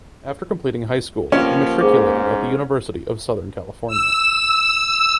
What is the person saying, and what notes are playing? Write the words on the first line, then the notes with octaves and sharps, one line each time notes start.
After completing high school he matriculated at the University of Southern California.
F3 A#3 B3 C#4 G4
G#2 G#4 C5 D6
E6